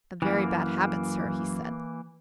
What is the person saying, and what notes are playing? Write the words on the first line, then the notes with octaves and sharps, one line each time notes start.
"A very bad habit, sir," he said.
F#2 E3 A#3